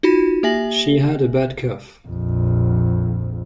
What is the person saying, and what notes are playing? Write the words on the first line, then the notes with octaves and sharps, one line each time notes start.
She had a bad cough.
D#4 F4 F#4 B5
A#3 G4 E5 G#5 A#6 F#7
A#1 F2